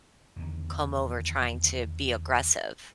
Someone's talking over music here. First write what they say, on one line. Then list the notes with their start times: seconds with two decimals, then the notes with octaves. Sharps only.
come over trying to be aggressive.
0.36 E2 D3 D#3